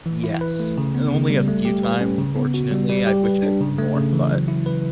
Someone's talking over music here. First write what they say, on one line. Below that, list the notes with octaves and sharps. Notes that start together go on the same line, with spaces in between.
Yes, and only a few times, unfortunately, I wish I'd seen more, but
E3
E4
B4
A3
C#3
B3
C#3
G3
A3
G4
B4
C#4
C#3
B3
F#4
G3
G3
G4
B4
D4
C#3
A3
C#3
E3
F#3
E4
B4